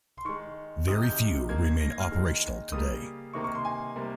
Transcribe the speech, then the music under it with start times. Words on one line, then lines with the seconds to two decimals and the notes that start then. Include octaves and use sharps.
Very few remain operational today.
0.18 C6
0.25 D#3 G#3 C#6
0.88 C3 D#3 G#3 D#6
1.03 G6
1.49 D#3 A#3 G#6
1.65 G#6
1.80 A#6
1.91 G#6
2.00 F6
2.11 D#3 G#3
2.72 C#3 G3 A#3 D#6
3.33 C3 D#3 A#3 C#6
3.44 C#6
3.55 C6
3.65 G#5
3.96 C3 G3 A#3